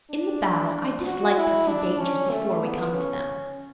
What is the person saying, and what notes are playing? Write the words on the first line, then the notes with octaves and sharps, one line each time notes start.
"In the bow; I dislike to see dangers before we come to them."
D4
F#4
E4
D4
C#4
A3
B3
C#4